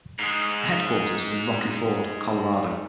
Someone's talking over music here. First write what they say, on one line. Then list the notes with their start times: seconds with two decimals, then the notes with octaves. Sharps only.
The headquarters was in Rocky Ford, Colorado.
0.19 G#2 G#3